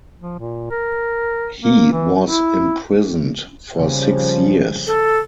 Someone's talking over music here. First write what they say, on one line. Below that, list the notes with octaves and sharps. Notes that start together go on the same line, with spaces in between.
He was imprisoned for six years.
F3
A#2
A#4
A#3
E3
E4
C#3 F3 G3
A4